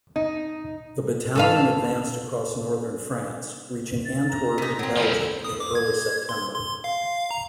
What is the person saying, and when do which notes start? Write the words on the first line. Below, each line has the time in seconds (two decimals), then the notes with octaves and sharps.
The battalion advanced across Northern France, reaching Antwerp in Belgium in early September.
0.16 D#4
1.36 A4 B4 F5
4.05 A6
4.29 A#5
4.58 C3 D#4
4.79 F#3 C4
4.97 F3 E4
5.44 D#6
5.60 D6
5.75 G#6
6.29 C6
6.55 C6
6.84 F5
7.31 A#5